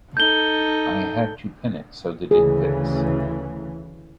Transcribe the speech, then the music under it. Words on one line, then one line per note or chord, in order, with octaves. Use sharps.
I had to pin it so that it fits.
D#4 A4 G6 G7
D2 C#3 E3 G#4